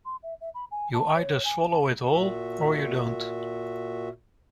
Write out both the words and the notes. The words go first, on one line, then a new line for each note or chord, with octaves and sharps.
You either swallow it whole-or you don't.
C6
E5
E5
B5
G#5
A5
C#5
G#5
A5
A#2 F#4 E5